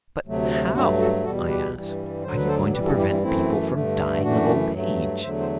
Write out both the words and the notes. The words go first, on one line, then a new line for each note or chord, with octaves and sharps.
"But how," I asked, "are you going to prevent people from dying of old age?"
D2 C3 F#3 A3
G2 F#3 A3 D4 F#4
F#4 A4
E2 B2 G3 F#4 A4
G4 B4
G2 E3 G3
D2 D3 F#3 C5
B4
A4 C5
G2 E3 G3 G4 B4
F#4 A4
E4 G4
C4 E4
F#2 E3 A3 C4 E4
G2 D3 A3
F#2 E3 A3 D4 F#4
G2 F#3 A3
E2 D3 F#3 A3 C5 E5
C5